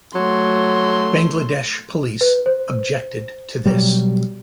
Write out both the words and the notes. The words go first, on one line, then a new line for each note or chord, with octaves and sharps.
Bangladesh Police objected to this.
F#3 A3 C6
B4
C5
B2 F#3 G3